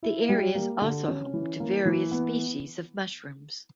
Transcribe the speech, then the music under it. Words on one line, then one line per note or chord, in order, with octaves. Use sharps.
The area is also home to various species of mushrooms.
E4
G3
A#3
D3
C#4
E3
A#3
E3
B3